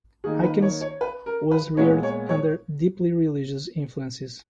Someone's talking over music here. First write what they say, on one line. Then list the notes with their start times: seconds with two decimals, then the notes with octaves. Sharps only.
Aikens was reared under deeply religious influences.
0.24 D#3 A#3 D#4 G#4
0.44 B4
0.62 C#5
0.81 C#5
1.01 B4
1.26 A#4
1.51 B4
1.77 A#2 G#3 B3 C#5
2.03 C#5
2.29 C#5